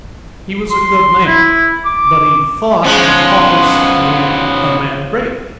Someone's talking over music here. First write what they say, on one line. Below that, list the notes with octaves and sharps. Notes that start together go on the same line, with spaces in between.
He was a good man, but he thought an office made a man great.
C6
E4
D6
F3 G#3 B3 C#4